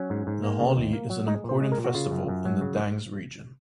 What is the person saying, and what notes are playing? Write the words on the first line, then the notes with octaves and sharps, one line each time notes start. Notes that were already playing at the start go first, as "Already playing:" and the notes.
The Holi is an important festival in the Dangs region.
Already playing: F#3 C#4
G#2
G#2
A#3
C#3
D#2
A#3
F#3
G#3 D#4
A#2 C5
G#3
A#4
A#2
F#4
C#3 F4
F#2
F#2
F#3
C#3